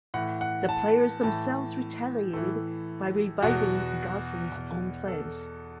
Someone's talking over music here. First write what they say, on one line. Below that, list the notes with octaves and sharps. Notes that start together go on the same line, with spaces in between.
The players themselves retaliated by reviving Gosson's own plays.
A2 E3 F#5
F#5
A5
A2 E3 A5
A2 E3 A4
E2 B2 F#4
E2 B2
A4